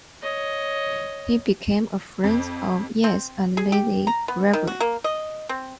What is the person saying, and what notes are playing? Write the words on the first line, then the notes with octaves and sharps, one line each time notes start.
He became a friend of Yeats and Lady Gregory.
C#5 D#5
F2
C4
G#4
G4
A#5
B3
D#3
F#4
A#3
D#5
C4